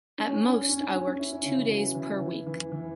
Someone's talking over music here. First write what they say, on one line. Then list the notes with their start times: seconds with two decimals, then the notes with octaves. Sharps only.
At most, I worked two days per week.
0.18 C#4
0.35 C#4
0.52 C#4
0.69 C#4
0.81 C#4
0.94 C#4
1.07 C#4
1.20 E4
1.33 C#4
1.45 C#3
1.57 E3
1.70 F#3
1.95 E3
2.20 E3
2.46 E3
2.72 E3